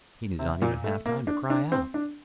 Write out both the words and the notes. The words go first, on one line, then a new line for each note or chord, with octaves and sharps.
He did not even have time to cry out.
C3
A#2
A3
A#3
D4
D4
C4
D4